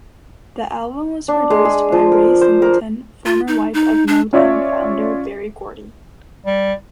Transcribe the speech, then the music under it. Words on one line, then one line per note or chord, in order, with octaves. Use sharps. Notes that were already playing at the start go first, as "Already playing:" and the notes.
The album was produced by Ray Singleton, former wife of Motown founder Berry Gordy.
D4
G#3
G#4
F3
A#4
C5
A#4
F4
D#4
D#4
D4
C#4 F4 C#5 D5 E5
G3